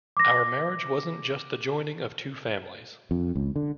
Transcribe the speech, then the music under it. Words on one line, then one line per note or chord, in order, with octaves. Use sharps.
Our marriage wasn't just the joining of two families.
D6 A#6
F2
C#2
D3